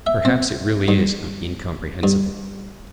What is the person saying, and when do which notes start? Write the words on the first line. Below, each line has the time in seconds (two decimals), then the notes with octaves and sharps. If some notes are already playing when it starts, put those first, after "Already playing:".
Perhaps it really is incomprehensible.
0.07 E5
0.25 C4
0.88 G2
2.03 G2